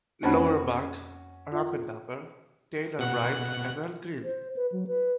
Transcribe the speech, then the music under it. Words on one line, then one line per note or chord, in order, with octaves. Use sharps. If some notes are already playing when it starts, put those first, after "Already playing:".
Lower back, rump and upper tail are bright emerald green.
F2 A#3 C4 C#4 F#4 C5 A5 B5
F4 E5
B2 F#5 F#6
C5
B4
F#3
B4